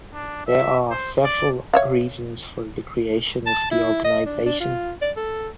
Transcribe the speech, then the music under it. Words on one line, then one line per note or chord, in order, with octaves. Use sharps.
There are several reasons for the creation of the organization.
D4
E5
C5
D5
C#5 E5 F5
A5
E4
D#5
D4
D4
F4
D5
A4